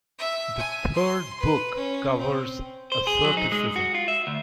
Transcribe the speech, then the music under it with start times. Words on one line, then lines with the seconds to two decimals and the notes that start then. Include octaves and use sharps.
The third book covers asceticism.
0.19 E5
0.58 G#5
0.94 C6
1.40 B4
1.77 C#4
2.19 C4
2.92 C5
3.07 G#4
3.24 F#3
3.37 D#4
3.52 G#3
3.76 F#4
3.95 F4
4.08 E5
4.27 D2